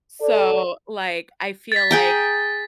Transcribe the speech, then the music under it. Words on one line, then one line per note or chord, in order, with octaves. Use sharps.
so, like, I feel like
A4 D5
A6 B6
G#4 G5 A#5